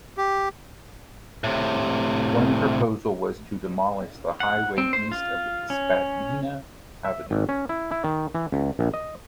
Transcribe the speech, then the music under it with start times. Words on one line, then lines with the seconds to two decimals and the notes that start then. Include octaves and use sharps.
One proposal was to demolish the highway east of Spadina Avenue.
0.17 G4
1.44 A2 C3
4.40 F#5
4.78 C4
4.93 C5
5.12 F4
5.70 C#4
7.05 E5
7.31 G#1
7.49 C#4
7.69 E4
7.91 E4
8.04 D#3
8.35 E3
8.52 C#2
8.79 A#1
8.94 D#5